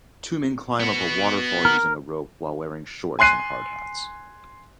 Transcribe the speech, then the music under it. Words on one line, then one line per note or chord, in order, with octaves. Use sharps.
Two men climb up a waterfall using a rope while wearing shorts and hard hats.
B3 F#4
A#4
G#5 C6 F#6 C7 D#7